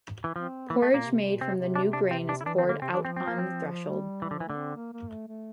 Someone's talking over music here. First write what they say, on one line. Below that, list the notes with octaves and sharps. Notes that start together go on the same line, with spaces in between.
Porridge made from the new grain is poured out on the threshold.
E3
F3 C4
E3 A#3
A3
A#2 A#3
C3
A#2
C3 C4
C3
D4
D4
C4
D4
E4
E3 D4
C4
D3 A#3
C3 C4
E3 D4
F3 C4
C4
A#3
C4
G3
E3 G3
D3
F3
E3
D3 A3
C4
A#3
A#3
A3
A3